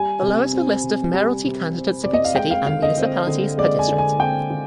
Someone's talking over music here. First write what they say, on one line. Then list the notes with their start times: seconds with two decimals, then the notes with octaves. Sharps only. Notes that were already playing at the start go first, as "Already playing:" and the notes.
Below is the list of mayoralty candidates of each city and municipalities per district.
Already playing: G3 G#5
0.22 C3
0.53 C4
0.83 C3
1.14 G3
1.44 C3
1.75 C4
2.04 C3 D5
2.14 D#5
2.25 F5
2.35 G#3 G5
2.51 F5
2.66 D3 F5
2.82 D#5
2.98 C4
3.27 D3
3.58 G#3 D5
3.79 G#5
3.88 D3
3.98 G#5
4.19 C4 G5
4.50 D3